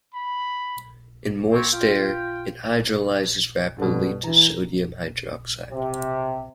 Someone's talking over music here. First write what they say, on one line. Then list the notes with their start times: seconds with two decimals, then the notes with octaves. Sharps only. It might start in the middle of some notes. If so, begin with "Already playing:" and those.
In moist air, it hydrolyzes rapidly to sodium hydroxide.
0.14 B5
1.51 A#3 C4 C#5
1.72 F4 G5
3.78 G2 B2 D3
4.24 E3 A#5
5.71 C3